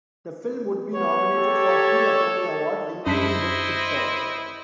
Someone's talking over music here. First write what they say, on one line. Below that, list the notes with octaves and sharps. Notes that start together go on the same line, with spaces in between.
The film would be nominated for three Academy Awards, including Best Picture.
B3 C#5
G4 A4
F#2 D4 E4 C5 D#5 B6